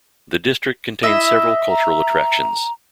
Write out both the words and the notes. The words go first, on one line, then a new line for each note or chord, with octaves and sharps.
The district contains several cultural attractions.
E4 D#5 E5
A#5